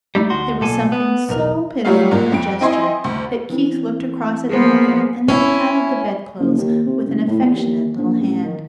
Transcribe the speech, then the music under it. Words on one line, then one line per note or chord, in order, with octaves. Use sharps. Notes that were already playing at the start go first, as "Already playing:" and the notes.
There was something so pitiful in the gesture that Keith looked across at Malcolm and then patted the bedclothes with an affectionate little hand.
G3 A3 D#4
D2 F#4 C6
B1 A#2 A4 G#5
B3
B1 E2 A#4
F#3 G3 A3 F4 F5
G#2 A#3 F4
F2 D7
C4 D#4 E4 D#5 G#5 C6
D2
E3 C4
A#3 B3 G#4 C5
C#4 E4
F#1
D#2
C3
F#1
A2
E2
D#2
A#1
A1
D#3